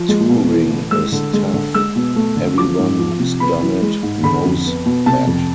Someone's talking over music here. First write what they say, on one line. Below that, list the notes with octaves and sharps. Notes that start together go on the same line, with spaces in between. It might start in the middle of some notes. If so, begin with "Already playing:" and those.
Touring is tough; everyone who's done it knows that.
Already playing: F3
G#3
B2
E3
A2
G#3 E6
D3
G#3
D3
G#3 E6
B2
A3
D3
F3 D6
G#2
F3
C3
B3 B5
E3
G#3
G#2
D3 B5
F2
B3
B2
C3 A5
F2